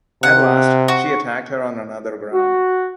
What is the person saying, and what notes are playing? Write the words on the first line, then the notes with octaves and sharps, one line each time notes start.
At last she attacked her on another ground.
C3 F#5
F#4
F#4